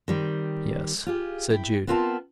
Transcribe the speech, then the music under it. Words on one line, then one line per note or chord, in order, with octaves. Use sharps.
"Yes," said Jude.
D#3 G3 C4
F4 G4 G#4
E4 G5
B3 C4 F4 A#4 G5 A5